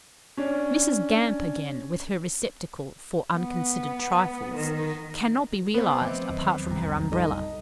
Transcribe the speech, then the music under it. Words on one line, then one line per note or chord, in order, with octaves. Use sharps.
Mrs. Gamp again, with her receptacle for unconsidered trifles, cannot be realised apart from her Umbrella.
C#4 D4
B3
D#3
B3 C4 B4
F3 A3 D#5 E5 D6
E2 D#3 F#3
F1 C2 F#2 G3 A#5
A#1 D#4 A4 D#5